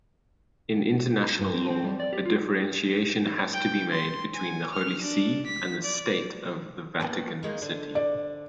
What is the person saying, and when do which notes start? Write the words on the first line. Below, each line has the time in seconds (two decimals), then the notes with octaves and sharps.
In international law, a differentiation has to be made between the Holy See and the state of the Vatican City.
1.39 G2
1.54 C4
1.70 C4
1.84 G3
2.00 D5
2.13 G4
2.26 F4
3.53 G5
3.91 C6
4.35 G#5
4.72 F6
5.02 D4
5.46 B6
5.84 D5
7.00 D#3 A#3 B3
7.43 D#3 G#3 A#3
7.62 D3 C4 D4
7.95 D5